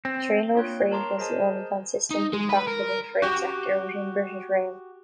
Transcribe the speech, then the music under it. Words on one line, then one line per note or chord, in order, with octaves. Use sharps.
Trainload Freight was the only consistently profitable freight sector within British Rail.
C4
A#3 D4 F4 C#5 G5 F#6
A#4 C#5 A5 A#5 C6 D6
G#4 A#4 C5 D#5 G#5 A5
D#4
G#3
B4
A#4
F#4 G4